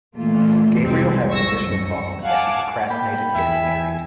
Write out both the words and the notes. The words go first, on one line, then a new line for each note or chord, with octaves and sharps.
Gabriel has an additional problem in that he procrastinated getting married.
A#2 E3 A3 A#3 F4
C2 F2 C3 G#3 C4
C#6 E6 A#6
F#2 C#7
F5 F#5 G#5 A5 D6
A#3 G5 B5
E2 E5 G#5